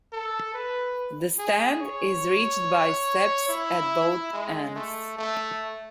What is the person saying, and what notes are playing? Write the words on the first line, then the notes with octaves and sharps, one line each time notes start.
The stand is reached by steps at both ends.
A4
B4
G#4
C#5
E4
G#3
A3
A3